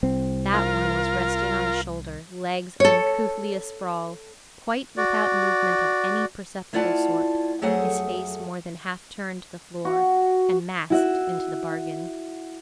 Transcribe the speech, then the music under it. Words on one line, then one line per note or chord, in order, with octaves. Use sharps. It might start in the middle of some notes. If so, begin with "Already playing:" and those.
That one was resting on a shoulder, legs uncouthly a-sprawl, quite without movement of any perceptible sort; his face more than half-turned to the floor, and masked into the bargain.
C2 C4
F4 A#4
A4 C#5
F#4 D5
A3 E4 F4 D5 F#5 A5
F2 F#3 A3 G#4 F#5
F#4
E4 F#4 E5